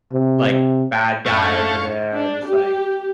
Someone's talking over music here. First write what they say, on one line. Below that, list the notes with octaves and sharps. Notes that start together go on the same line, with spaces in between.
like, bad guy over there, just like
C3
C3
F#2 D3 A3 D4 F5 C#6
D4
G4